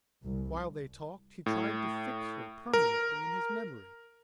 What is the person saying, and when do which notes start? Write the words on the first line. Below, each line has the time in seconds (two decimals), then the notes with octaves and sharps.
While they talked he tried to fix her permanently in his memory.
0.23 C2
1.46 A2
2.73 A#4